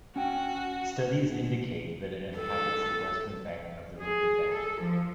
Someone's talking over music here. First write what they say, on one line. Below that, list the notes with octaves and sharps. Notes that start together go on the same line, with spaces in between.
Studies indicate that it inhabits the western bank of the river Beni.
C#4 F#4 G5
A4
G#4
A4
F3